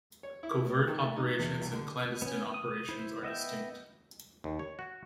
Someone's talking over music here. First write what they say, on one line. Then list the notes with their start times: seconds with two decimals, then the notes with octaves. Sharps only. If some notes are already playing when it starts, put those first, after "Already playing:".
Covert operations and clandestine operations are distinct.
0.23 C#5
0.43 E4
0.64 A2
0.88 D#3
1.03 A3
1.16 D#4
1.39 E2
1.61 C2
1.73 D3
2.22 B3 C#4
2.54 D#6
2.89 E4 C5
3.23 B3 D#5 E5 G5
4.44 D#2
4.59 C#5
4.79 F#4